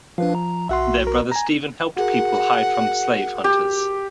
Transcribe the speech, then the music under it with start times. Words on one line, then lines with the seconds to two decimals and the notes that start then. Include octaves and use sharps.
Their brother Stephen helped people hide from slave hunters.
0.18 F3 D4 B4 F5
0.35 A#5
0.69 B1 F#4 E5 F#5 C6
1.07 A#4
1.32 G#5 A#5
1.97 F#4 G#4 A#4 F#5
3.44 G4